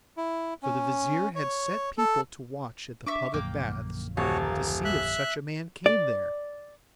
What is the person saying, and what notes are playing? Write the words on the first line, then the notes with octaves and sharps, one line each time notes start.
So the Vizir had set people to watch at the public baths, to see if such a man came there.
E4
C#4
C#5
A4
D4 E5 C#6 D6
A#1 F#2 D3 A#3 G5 D6
D#1 F#4 C#5 A5
A#3
E5 F#6
D5